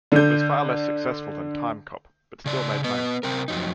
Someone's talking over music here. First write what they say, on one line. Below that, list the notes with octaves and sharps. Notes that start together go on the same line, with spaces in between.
It was far less successful than "Timecop" but still made money.
D3 G6
C#3 D5
B3 B4 D#5
C3 C4 A#4
F2 F#3 D#4